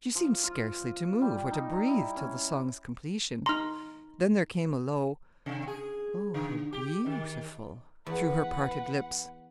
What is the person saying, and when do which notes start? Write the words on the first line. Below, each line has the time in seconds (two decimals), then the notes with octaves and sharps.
She seemed scarcely to move or to breathe till the song's completion; then there came a low "Oh, how beautiful!" through her parted lips.
0.15 F3
0.44 F4
1.21 G3
1.51 D#4
1.73 A#5
1.87 E4
2.16 C#4
3.46 D#4 A#5 C6 F6
5.46 C3
5.67 G#4
6.34 D3
6.73 G4
7.06 D#3
8.06 E2 B4 F#5